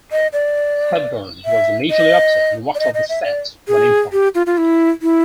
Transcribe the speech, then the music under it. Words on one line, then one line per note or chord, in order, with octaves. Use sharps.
Hepburn was initially upset and walked off the set when informed.
D#5
D5
E5
D#5
D5
D#5
D#5
E5
D5
G#4
G4
F4
F4
E4
E4